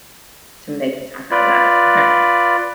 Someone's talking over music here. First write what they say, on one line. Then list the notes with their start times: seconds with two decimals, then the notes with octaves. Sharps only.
to make it talk out loud. Okay.
1.31 F4 B4 D5